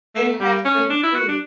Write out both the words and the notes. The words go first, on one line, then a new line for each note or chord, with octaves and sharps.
It has been, too.
A3
G3
C#4
D4
E4
F#4
D4